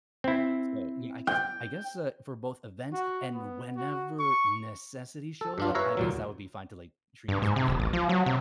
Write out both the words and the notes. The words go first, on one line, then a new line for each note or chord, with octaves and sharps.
So, yeah, I guess I guess, uh, for both events and whenever necessity shows up, I guess that would be fine to, like, treat yourself.
C4 E4
G5
F#4
B3
F#4
C#6
A4
G2 D4 F4
B4 C#5 E5 F5 A#5
D#2 A#2 F#3
G2
G#2
C3
D#1
A1
F3
F#3
C3